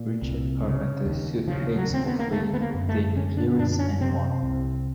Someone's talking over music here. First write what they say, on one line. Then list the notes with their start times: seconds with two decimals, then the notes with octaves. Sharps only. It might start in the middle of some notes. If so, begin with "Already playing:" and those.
Richard Carpenter sued Haynes for failing to obtain the clearances and won.
Already playing: A#2
0.22 C2
0.64 C#3
1.06 D#2
1.48 C#3 F3
1.76 F#3
1.90 D#2 C4
2.06 B3
2.19 A#3
2.32 D3 A3
2.54 B3
2.61 A#3
2.74 F#2
2.89 A3
3.16 D3 C#4
3.37 D4
3.58 F#2 D4
3.71 D4
3.79 C#4
4.00 C3 C4
4.43 C2